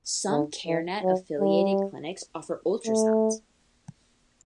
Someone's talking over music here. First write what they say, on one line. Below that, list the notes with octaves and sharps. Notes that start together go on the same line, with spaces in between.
Some Care Net affiliated clinics offer ultrasounds.
D3
E3
F#3
G3
A3